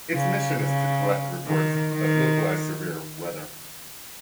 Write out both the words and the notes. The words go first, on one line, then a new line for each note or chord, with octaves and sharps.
Its mission is to collect reports of localized severe weather.
C#3
C#3
D#3
D#3